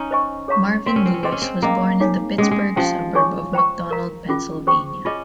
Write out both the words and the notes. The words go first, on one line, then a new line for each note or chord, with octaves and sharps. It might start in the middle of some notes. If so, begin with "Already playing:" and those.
Marvin Lewis was born in the Pittsburgh suburb of McDonald, Pennsylvania.
Already playing: C#4 D#4
C5 D#5 G#5 C#6
G#4 C#5 F5 A#5 C#6
C4 A#4 F5 C6
C#4
C4
C#4
C4 G#4 C5 D#5 G5 C6
C#4
C4
A#3 C#4 G#4 D#5 G5
D#4 G#4 C#5 F5 G#5
G#3 C#4 G#4 D#5
G#3
F3 C#4 G4 C5 G5
G#4 C#5 G#5 C#6
C5 G5 A#5 C#6
A#4 F5 A#5
C#4 F4 G#4
G#4 C5 G5 C#6
C#4 F4 G#4 D#5